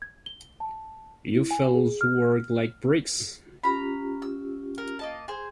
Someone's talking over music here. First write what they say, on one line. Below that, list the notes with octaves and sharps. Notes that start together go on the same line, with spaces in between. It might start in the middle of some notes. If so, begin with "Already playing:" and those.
You fellows worked like bricks.
G#6
G7
A5
E4
G#5
G#4
F6
C#4 F4 G4 A#5 B5
E6
A#4
A#3 D#5 A5
G#4 C5